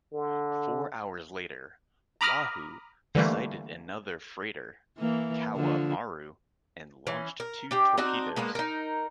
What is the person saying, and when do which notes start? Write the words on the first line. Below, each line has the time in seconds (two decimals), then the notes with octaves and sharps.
Four hours later, "Wahoo" sighted another freighter, "Kowa Maru", and launched two torpedoes.
0.14 D3
2.21 A#5 B5 D6 D#6 F6 A#6
3.15 D3 E3 G3 A3 A#3
4.98 E3 A#3
5.55 D3 F3
7.07 E3 C#4
7.40 A#4
7.71 D4 G4 G5
7.97 C4 D4 D#4 F#4
8.36 G#3 A#3 B3 D4
8.55 D#4 A#4